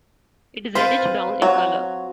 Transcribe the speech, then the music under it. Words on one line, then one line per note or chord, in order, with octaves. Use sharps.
It is reddish-brown in color.
C4 F4 B4 C5
F#3